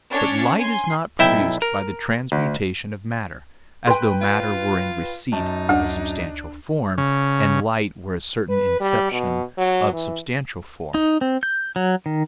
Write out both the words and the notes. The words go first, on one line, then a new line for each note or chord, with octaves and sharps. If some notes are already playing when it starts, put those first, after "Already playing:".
But light is not produced by the transmutation of matter, as though matter were in receipt of a substantial form, and light were a certain inception of substantial form.
C#4 D4 C#5
G#5 C6
B1 E4 E5 G5
A#4
D2
B4 G5 C6
F4
F#2 D#4 A5
D2 D4
C#3
B4
G3
B2
F#3
E3
D#4
C4
G6
F#3
D#3